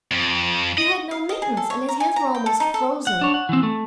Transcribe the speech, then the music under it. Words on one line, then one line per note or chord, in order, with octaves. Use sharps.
He had no mittens, and his hands were almost frozen.
F2
D#5
F5
D#5
G#4
A4
C#5
A#5
G#5
A#5
G5
A4
D#4
A4
F#5
D4 C#5
F#5
E3 C4
A3